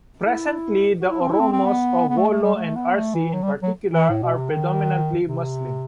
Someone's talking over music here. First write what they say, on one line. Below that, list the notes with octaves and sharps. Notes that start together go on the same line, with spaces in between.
Presently, the Oromos of Wollo and Arsi in particular are predominantly Muslim.
E4
F#4
E4
C4
E4
C4
C4
B3
B3
A3
A3
G3
A3
B3
A3
E3
F#3
G3
F#3
E3
A2
B2
C3
D#3
C3